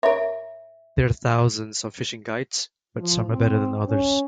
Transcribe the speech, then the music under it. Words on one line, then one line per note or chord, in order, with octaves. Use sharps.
There are thousands of fishing guides but some are better than others.
A#4 C#5 E5
F3
C4
C#4